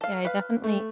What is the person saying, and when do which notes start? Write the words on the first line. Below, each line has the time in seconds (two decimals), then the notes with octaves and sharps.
Yeah, I definitely
0.01 A4 F5
0.25 B4 F5
0.64 A3